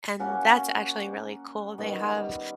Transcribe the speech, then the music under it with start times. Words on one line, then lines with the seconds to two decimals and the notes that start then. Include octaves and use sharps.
and that's actually really cool, they have
0.19 A#3 C#4 F#4
1.78 D#3 G3 B3